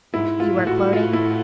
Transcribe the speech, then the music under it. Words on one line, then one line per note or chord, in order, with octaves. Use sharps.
"You are quoting?"
G#2 E4
F4
A2
F#4
F4
E4